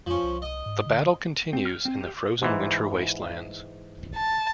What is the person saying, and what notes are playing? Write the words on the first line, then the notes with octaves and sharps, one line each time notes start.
The battle continues in the frozen winter wastelands.
F2 F3 C#4
C2
D#5 D#6
G#2
D3
C4
F6
C4
G4
G#2 E3
A5